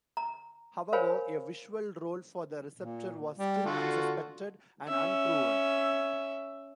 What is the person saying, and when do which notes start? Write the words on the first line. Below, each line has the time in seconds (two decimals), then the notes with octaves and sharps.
However a visual role for the receptor was still unsuspected and unproven.
0.17 A#5
0.93 A#4 C5 C#5 F5 G#5 B5
2.77 A#2
3.38 G3
3.66 D3 F4 F#4 A4
4.88 C#4 E5